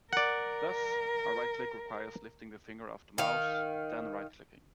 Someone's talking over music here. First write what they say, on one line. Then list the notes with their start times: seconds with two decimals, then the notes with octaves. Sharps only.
Thus a right-click requires lifting the finger off the mouse, then right-clicking.
0.13 A#4 D5 F#5
3.18 D#3 F5